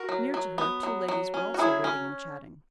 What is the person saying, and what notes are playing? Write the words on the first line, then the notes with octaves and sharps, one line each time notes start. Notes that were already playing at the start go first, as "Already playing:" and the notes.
Near to her two ladies were also waiting and chatting.
Already playing: F#4 A#4
F#3
F#3
B3
F#3
F#3
C#4
F#4
F#3 E4 G#4
C#4